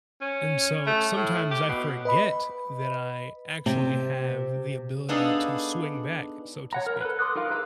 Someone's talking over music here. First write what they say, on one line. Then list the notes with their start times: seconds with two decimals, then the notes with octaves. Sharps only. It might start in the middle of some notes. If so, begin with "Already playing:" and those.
and so sometimes I forget that I actually have the ability to swing back, so to speak.
0.21 C#4
0.87 A3
1.17 A2
1.51 G4
1.68 B2
2.05 B4 D#5 B5
3.66 C3
5.09 B3 D4 D#4 G#4 A4 F5
6.73 C#5 F#5 A#5
6.86 A#4
7.01 A4 B4
7.19 C6 D6 D#6 F#6
7.36 D#4 F4 A#4 F5
7.51 G#4 B4 F5 A#5 E6